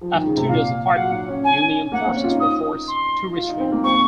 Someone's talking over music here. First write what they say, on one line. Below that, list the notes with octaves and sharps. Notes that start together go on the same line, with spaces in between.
After two days of fighting, Union forces were forced to retreat.
F3
D#3
C#3
C3
A#2 F5
F5
F#3 F#5
C#4
G#5
A#3 F#5
C4
C#4
F4
D#4
D#6
C6
F4
D#4
C4
A#3
C4 C#6